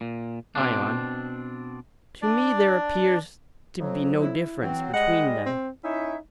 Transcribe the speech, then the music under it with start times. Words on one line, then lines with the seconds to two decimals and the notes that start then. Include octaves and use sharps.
ION: To me there appears to be no difference between them.
0.01 A#2
0.55 B2 C4 D4
2.22 D4 D5
3.80 F2 F#3
4.21 E4
4.62 E3 F#3 C4
4.94 G3 G#3 D#5 F#5
5.46 C4
5.84 C#4 D#4 E4 E5